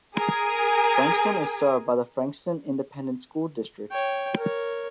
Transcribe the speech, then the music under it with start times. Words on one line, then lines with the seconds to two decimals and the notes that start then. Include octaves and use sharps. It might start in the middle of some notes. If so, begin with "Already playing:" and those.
Frankston is served by the Frankston Independent School District.
0.15 G#4 A#4 G#5
3.91 C#5 G5
4.37 A#4 C#5